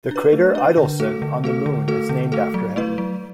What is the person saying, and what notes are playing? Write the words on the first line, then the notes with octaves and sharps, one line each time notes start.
The crater Idelson on the Moon is named after him.
D4 B4
A3
D4 B4
D3
A3 F#4 A4
D3
A3 F#4 A4
D3
A3 F#4 A4
D3
A3 F#4 A4
F#3
A3 E4 B4
F#3